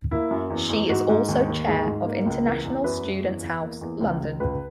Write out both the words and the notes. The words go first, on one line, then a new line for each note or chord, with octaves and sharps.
She is also Chair of International Students House, London.
A#3 E4
F#2
E2
E2
G#2 F#4
G#2
D#2
D#2
G#2 G#4
G#2
A#3
C#2
E2 A#4
E2
F#2 B4
F#2
E2
E2
A#3
E2
C#2
C#2
C#2 B4